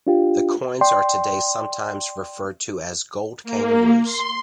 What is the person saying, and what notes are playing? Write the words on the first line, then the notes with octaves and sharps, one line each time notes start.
The coins are today sometimes referred to as "gold kangaroos".
D4 F4 G4
D5 G5 C6
A#3
C6